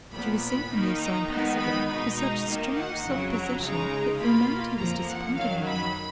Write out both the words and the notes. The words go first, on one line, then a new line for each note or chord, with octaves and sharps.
She received the news so impassively, with such strange self-possession, that for a moment he was disappointed in her.
A#2 F3 B3 B5
B5
D#3 A#3 D#4
A#5
D#3 G#3 B3 D#4
B5
B2 G#3 D#4 B5
A#5
D#3 A#3 D#4
F#5
F2 C#3 F#3
A#5
C#3 G#3 D#4 A#5
B2 A#3 F4 B5
F2 F3 A#3 A#5
F#5
F#2 D#3 F#3 F5
B5